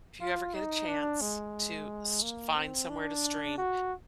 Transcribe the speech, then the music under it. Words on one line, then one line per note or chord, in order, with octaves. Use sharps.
If you ever get a chance to st find somewhere to stream,
F4
D#4
D4
G#3
A#3
C4
D4
F#4